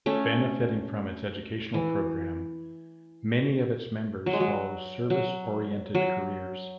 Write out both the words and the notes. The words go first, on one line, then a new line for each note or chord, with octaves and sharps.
Benefiting from its educational programme, many of its members follow service-oriented careers.
A3 C#4
E3
F#3
G#3
F#3
F#3
F#3